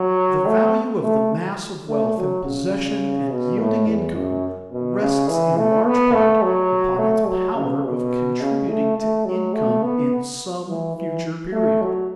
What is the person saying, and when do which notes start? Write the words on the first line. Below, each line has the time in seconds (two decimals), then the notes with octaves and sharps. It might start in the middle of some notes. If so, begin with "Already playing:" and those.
The value of the mass of wealth in possession and yielding income, rests in large part upon its power of contributing to income in some future period.
Already playing: F#3
0.47 A3
1.03 A3
1.89 A3
2.18 F#3
2.45 C#3
3.31 B2
3.59 A2
3.87 E2
4.15 F#2
4.72 B2
5.00 C#3
5.30 E3
5.58 A3
5.86 B3
6.14 A3
6.42 F#3
6.99 A3
7.28 F#3
7.55 C#3
7.85 B2
8.41 C#3
8.69 A3
8.98 A3
9.26 F#3
9.54 A3
9.83 B3
10.69 E3
10.96 E3
11.52 A3
11.82 F#3